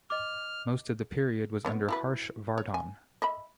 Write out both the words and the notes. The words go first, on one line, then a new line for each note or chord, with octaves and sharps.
Most of the period was under Harsh Vardhan.
D#5 D6 F6
D3 B3 C#5
E4 F#4 B4
C#5
G#5
D#5 E5 B5